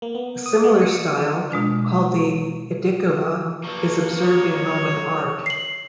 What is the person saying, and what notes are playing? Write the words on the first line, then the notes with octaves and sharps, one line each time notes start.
A similar style, called the Aedicula, is observed in Roman art.
A#3
B3
D#6
G#3
C#7
B2 G#3 D4 F4
G2 F3 F#3 A#3 C#6
C#5
C7 F#7